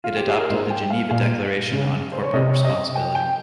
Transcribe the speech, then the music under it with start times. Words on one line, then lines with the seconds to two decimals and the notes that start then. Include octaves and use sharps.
It adopted the Geneva Declaration on corporate responsibility.
0.04 F4
0.16 G4
0.28 G#4
0.38 A#4
0.50 G#2 C5
0.70 G5
0.90 F5
1.11 A#2 F5
1.73 C#3
2.12 C5
2.24 C#5
2.34 C3 D#5
2.50 C#5
2.64 D#5
2.95 G5
3.15 G5